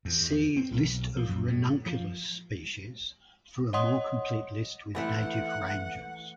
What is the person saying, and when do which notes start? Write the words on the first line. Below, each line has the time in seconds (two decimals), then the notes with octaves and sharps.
See List of "Ranunculus" species for a more complete list with native ranges.
0.05 E2
0.57 C4
0.72 B1
1.16 F3
1.29 F#2
1.48 A2
1.86 F3
3.73 C#5 D#5 F#5 C6 D#6
4.95 E3 A3 E4 F#5